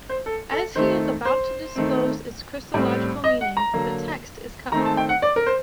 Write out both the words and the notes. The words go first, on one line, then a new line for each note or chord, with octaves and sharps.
As he is about to disclose its Christological meaning, the text is cut off.
C5
A4
A4
D#3 A3 C4 C5
C5
D#3 A3 C4
A2 G3 C4
D#5
F#5
A#5
D3 F#3 A#3
D#3 A3 C4 A#5
A5
G5
F#5
D5
A#4
C5